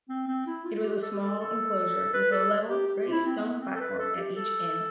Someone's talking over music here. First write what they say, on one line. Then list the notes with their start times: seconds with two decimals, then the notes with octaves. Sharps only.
It was a small enclosure with a level, raised stone platform at each end.
0.09 C4
0.27 C4
0.47 E4
0.65 F4
0.83 G4
1.02 A4
1.12 G4
1.21 A4
1.39 A4
2.13 B4
2.32 A4
2.69 G4
2.87 G4
3.07 F4
3.12 E4
3.26 C4
3.37 B3
3.61 C4
3.75 A4
3.80 B4
3.98 A4
4.17 G4
4.36 A4